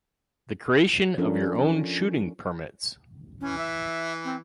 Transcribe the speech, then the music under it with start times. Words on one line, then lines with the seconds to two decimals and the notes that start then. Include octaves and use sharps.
The creation of your own shooting permits.
1.18 F3 C#4 D4 F4 A4 A#4
3.41 E3 C#4
3.58 E5
4.25 C4